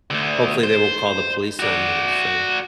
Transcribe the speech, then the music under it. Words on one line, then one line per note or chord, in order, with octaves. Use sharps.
hopefully they won't call the police on you, so
D2 D3
C5
F#4 D5